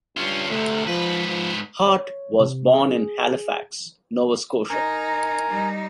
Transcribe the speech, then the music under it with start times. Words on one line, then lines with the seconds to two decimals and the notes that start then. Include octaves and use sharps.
Hart was born in Halifax, Nova Scotia.
0.17 G2 C#4 F4
0.49 D2 C3 A3
0.87 G#2 F3 B4
1.29 F3
1.88 C#5
2.40 C3
2.74 G#4
4.70 D#4 A#4 G#5 A#5
5.49 G3 D#4